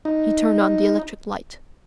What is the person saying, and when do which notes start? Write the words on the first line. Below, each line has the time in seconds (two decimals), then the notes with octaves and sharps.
He turned on the electric light.
0.05 D#4